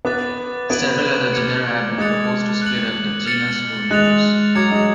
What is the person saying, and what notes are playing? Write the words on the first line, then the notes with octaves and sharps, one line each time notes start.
Several other genera have been proposed to split up the genus "Oriolus".
B3 D6 F#6 A6
B3 G#6 D7 F#7
D6 F6 G#6 C#7
G#3 D6 F#6 A6 C#7 F7
F#6 C#7 F#7
F6 A6 C#7 F#7
G#3 F#6 A6 F7
F#3 D6 G#6 C#7 F7
G#3